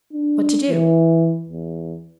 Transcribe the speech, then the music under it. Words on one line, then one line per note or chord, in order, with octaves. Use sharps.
"What to do?"
D4
E3
E2